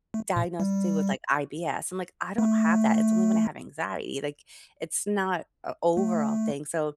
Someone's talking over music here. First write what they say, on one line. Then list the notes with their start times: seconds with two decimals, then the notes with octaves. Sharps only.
diagnosed me with, like, IBS, I'm, like, "I don't have that. It's only when I have anxiety, like, it's not a overall thing". So,
0.14 A3
0.36 A#2
0.60 G3
2.38 A3
5.97 A3